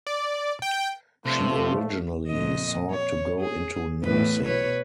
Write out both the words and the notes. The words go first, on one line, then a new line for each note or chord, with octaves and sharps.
She originally sought to go into nursing.
D5
G5
G1 C3 F3 A3 C6
F2 A#2 D#5
C#5
G#4
E2 A2 B4
B2 B4 C#5